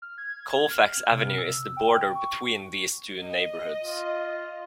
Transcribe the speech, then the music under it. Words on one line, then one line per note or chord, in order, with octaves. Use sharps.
Colfax Avenue is the border between these two neighborhoods.
F6
G#6
F6
C3
E6
G5
C#6
D#5
F4